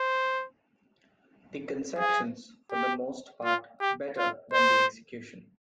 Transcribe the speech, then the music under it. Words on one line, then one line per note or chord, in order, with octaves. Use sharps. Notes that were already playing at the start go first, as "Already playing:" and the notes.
The conceptions for the most part are better than the execution.
Already playing: C5
G#4
G4
F4
G4
F4
C5